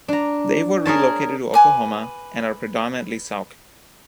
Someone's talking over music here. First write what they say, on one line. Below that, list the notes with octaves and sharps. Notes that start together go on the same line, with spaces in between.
They were relocated to Oklahoma and are predominantly Sauk.
D4 A#5
G#4 A#4 C#5 A5
B4 G#5 D6